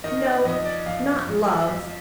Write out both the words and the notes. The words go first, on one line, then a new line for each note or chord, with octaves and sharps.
No: not love.
D#3 D#5
D5
F2 D#5
D5
F2 F5
F2
F2